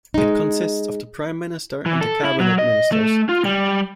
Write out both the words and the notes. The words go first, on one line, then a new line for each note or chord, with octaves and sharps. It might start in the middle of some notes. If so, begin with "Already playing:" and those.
It consists of the Prime Minister and the cabinet ministers.
G#3 D#4
E3
A4
E4
F#3
D#5
A3
F4
G3